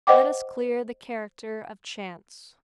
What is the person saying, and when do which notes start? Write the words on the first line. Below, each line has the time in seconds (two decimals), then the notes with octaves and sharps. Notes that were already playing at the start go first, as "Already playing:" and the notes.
Let us clear the character of chance.
0.07 C5 D#5 F#5 G5 D6